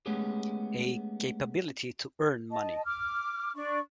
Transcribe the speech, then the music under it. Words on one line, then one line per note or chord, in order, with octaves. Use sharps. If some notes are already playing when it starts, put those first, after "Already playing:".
A capability to earn money.
G#3 A3 B3 C#4 G4 G#4
D#5 A5
D6 F6
D4 D5 C#6